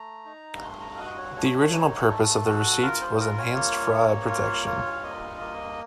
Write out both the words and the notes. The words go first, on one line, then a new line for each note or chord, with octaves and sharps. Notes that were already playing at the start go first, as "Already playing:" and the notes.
The original purpose of the receipt was enhanced fraud protection.
Already playing: A3 A#5
D#4
A3 C6
A#5
F5
F#4 D#5
C#5
A3 C#5
D#4
A3 A4
F#4
F4 A#4
C5
F4 A#4
C#5
A#3
A#3
F4
F4
F5
A#3 D#5
A#3